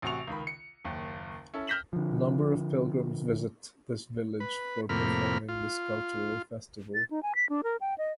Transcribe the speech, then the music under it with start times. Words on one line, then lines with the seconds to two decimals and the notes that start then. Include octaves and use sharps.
Number of pilgrims visit this village for performing this cultural festival.
0.02 A1 C3 F#4 C#6 F7
0.27 C#2 D#3 B5
0.47 C#7
0.85 F#1 D#2
1.54 C#4 E4 A4
1.67 F6 G6 A#6 B6 E7 F#7
1.93 D3 F3
4.40 B4
4.89 F2 A2 C3 A#3 B5 F6
5.49 F4
6.94 A6
7.11 D#4
7.23 G#5
7.35 B6
7.49 D4
7.64 A#4
7.81 G5
7.98 D#5